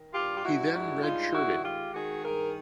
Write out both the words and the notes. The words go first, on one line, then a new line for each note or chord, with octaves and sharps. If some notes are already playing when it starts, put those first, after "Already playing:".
He then redshirted.
Already playing: D#3
G2 F4 G4
G4
G2 E4 F#4
G#3 E4 F#4
G2 D#4 F4
D#3 E4 F#4
G#3 F4 G4
D#3 F#4 G#4
G2 G#4 A#4